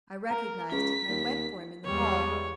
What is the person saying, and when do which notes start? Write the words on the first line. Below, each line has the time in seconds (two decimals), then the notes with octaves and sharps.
I recognized it, and I went for him in the hall.
0.30 A#4 A#5
0.72 C#2 B6
1.09 D#2
1.84 E2 G3 G#3 C#5